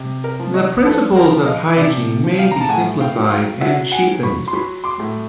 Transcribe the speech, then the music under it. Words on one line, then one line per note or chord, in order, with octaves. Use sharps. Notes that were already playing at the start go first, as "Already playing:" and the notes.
The principles of hygiene may be simplified and cheapened.
Already playing: C3
A#4
F3
C#5 D#5
F3 A4 B4
A#4 C5
F3
D#5 F5
C3 D5 E5
F3
F5 G5
A#5
A5
A2 F#5 G#5
F5 G5
F#3
F5 G5
F#3 E5 F#5
F#5 G#5
F#3
B5 C#6
C6
F#3 B5 C#6
C6 D6
A2